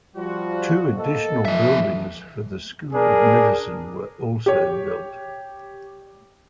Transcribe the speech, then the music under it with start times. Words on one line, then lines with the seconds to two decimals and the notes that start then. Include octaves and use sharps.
Two additional buildings for the school of medicine were also built.
0.16 F3 G3 F4 F#4
0.97 A#3 A4 D#5
1.45 F3 E5
2.93 D4 G#4 A#4
4.46 G4 C#5